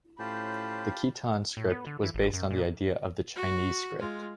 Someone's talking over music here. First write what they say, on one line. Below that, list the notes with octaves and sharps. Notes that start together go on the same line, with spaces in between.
The Khitan script was based on the idea of the Chinese script.
A2 C#4 F4 G4 C5 A5 B5
A2
B3
D3
E3
G1
F#2
A#2
F#4
G#3 F4